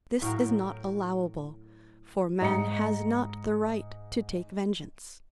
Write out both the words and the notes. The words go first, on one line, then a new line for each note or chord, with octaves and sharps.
This is not allowable, for man has not the right to take vengeance.
A2 F#3 A#4 F5
G#2 D#5 A#5 C#7